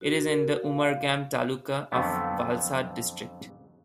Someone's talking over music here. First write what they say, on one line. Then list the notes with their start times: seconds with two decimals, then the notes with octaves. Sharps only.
It is in the Umargam taluka of Valsad district.
0.01 F#4
0.21 A#4
0.42 F#4
0.62 F5
1.92 F2 D3 F#3 A3 B3